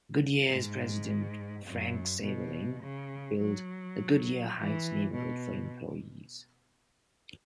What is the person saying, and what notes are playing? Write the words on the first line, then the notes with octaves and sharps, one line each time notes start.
Goodyear's president, Frank Seiberling, built the Goodyear Heights neighborhood for employees.
G#2
F#2
B2
C#3
F#3
E3
B2